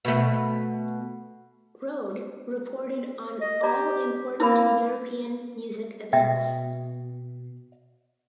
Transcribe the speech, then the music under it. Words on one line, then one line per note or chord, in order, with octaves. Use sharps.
Rohde reported on all important European music events.
B2 A3
D#5
G4 D5 A#5
A#3 E4 A#4 B5
B2 E5 G5